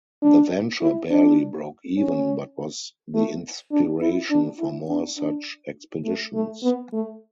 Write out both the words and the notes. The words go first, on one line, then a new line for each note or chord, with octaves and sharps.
The venture barely broke even, but was the inspiration for more such expeditions.
D4
E4
D4
C#4
A3
D4
E4
D4
E4
D4
D4
A3
A3
B3
A3